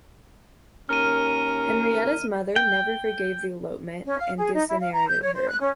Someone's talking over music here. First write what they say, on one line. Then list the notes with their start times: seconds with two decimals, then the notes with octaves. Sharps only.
Henrietta's mother never forgave the elopement, and disinherited her.
0.89 D#2 C#4 A#4 F6 D#7
2.56 G5
4.05 C#4
4.19 F5
4.37 G#4
4.54 D#4
4.68 E4
4.81 F5
4.93 A#5
5.08 G6
5.21 C#5
5.35 C5
5.48 F#6
5.60 C#4